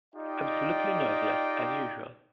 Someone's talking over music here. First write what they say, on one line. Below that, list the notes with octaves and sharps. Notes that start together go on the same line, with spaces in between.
Absolutely noiseless, as usual.
D#4 F4 G4 D5 D#5 G5